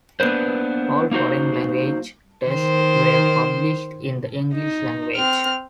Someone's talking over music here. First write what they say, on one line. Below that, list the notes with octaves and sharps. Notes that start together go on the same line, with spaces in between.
All foreign language texts were published in the English language.
A#3 B3 D4 B4 C5
A#3 D#4 F#4 C5
D#3 C5
D#4
C4 F6